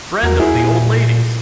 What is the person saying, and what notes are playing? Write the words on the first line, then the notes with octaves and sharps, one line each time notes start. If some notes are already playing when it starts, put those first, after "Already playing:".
Friend of the old lady's.
E2 F#4 A#4
E4 G#4
A#2